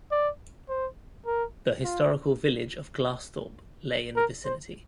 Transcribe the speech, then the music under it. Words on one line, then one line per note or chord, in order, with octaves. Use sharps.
The historical village of Glassthorpe lay in the vicinity.
D5
C5
A#4
F4
A#4
C5